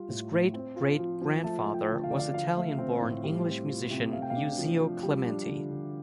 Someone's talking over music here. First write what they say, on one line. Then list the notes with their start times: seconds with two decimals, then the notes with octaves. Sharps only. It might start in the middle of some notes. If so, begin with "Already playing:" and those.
His great-great grandfather was Italian-born English musician Muzio Clementi.
Already playing: G3 F4
0.08 A2
0.32 A2
0.54 C4
0.76 F4
0.99 F3
1.21 F3
1.44 A3 A5
1.66 F4
1.74 G5
1.89 D3
2.04 F5
2.11 D3 D5
2.19 F5
2.34 F3 F5
2.57 A3
2.78 C4
3.02 A2
3.24 G3
3.46 C4
3.68 F4
3.90 C3
4.13 A3 F5
4.22 G5
4.30 F5
4.36 D4
4.58 F3
4.81 F3
5.03 G3
5.25 D4
5.48 D3
5.71 D3